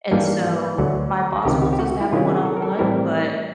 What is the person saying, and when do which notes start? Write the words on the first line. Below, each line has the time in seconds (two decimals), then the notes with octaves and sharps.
And so my boss wants us to have a one on one, but
0.11 G#2 E3 G3 A#3 D4
0.78 D2 D3 F#3
1.45 C#2 C3 D#3 G4
1.62 G4
1.73 G4
1.79 F#4
2.01 E4
2.12 C3 D#3 G#3 C#4 E4 F4
2.29 G#4
2.45 A4
2.57 A#4
2.62 A4
2.79 A2 E3 G3 C4 E4 A#4